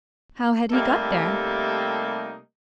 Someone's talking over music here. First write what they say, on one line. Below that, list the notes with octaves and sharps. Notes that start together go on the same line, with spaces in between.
How had he got there?
C3 G3 A3 A#3 D#4 A4